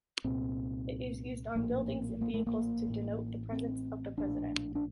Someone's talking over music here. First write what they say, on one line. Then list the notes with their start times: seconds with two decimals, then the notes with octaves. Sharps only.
It is used on buildings and vehicles to denote the presence of the president.
0.24 C2 A#2 C4
1.55 A#1 A2 A#3
2.21 A#3
2.34 A3
2.47 A#3
2.86 A1 A2
3.52 C4
4.18 A#1 A2 D4
4.75 D4